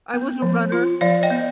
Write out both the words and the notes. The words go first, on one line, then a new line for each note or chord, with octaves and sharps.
I was a runner.
B3
F3
F4
F3 D5 F5
D#5 G5
B3